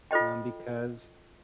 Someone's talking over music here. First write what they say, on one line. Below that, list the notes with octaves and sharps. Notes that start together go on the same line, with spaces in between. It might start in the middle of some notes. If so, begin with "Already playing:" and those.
Um, because
F4 A4 C5 D#5 G5